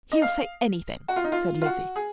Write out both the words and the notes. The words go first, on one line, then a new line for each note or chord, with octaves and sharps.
"He'll say anything," said Lizzie.
D#5
F5
F#4
F4
D#4
F4
F4
F#4
G#4